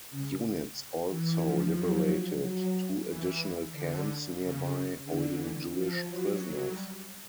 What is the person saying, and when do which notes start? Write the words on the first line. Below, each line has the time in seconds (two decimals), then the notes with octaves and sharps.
Units also liberated two additional camps nearby holding Jewish prisoners.
0.11 C#3
1.09 E3
1.42 F3
1.75 F#3
2.07 F#3
2.41 F#3
3.07 E3
3.72 D3
4.38 C#3
5.04 D3
5.37 E3
5.70 F3
6.03 F#3
6.69 G3